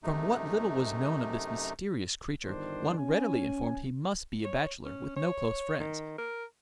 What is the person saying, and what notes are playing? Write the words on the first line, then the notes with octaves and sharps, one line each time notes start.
From what little was known of this mysterious creature, one readily inferred he must be a bachelor, with no close friends.
F#2 C3 A3 D#4
G1 D#3 D4 C5
C#4 G#5
C#5
C#4
C#5
D#3
A#4